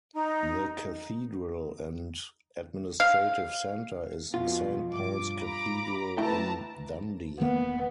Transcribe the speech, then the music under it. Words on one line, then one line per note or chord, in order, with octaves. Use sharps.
The cathedral and administrative centre is Saint Paul's Cathedral in Dundee.
D#4 A#5
F5
F2 B2 F4
G2 D6
A#5 B5 D6
A3 E4 B4 G5 A5 A#5
E1 D#3 A#3 B3